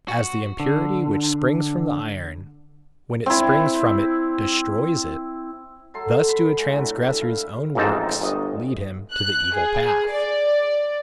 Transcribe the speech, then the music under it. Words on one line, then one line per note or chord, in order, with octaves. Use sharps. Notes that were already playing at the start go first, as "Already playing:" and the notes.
As the impurity which springs from the iron, when it springs from it, destroys it; thus do a transgressor's own works lead him to the evil path.
F#4
D3
C4 E4
F#3 A3 A4 C6
B5
G#3 A3
B2 D3 E3 F#3
G3
A3 F5
A1 F2 G#2 C4 D#4 A5
G1 D#5
F#6
G#4
D5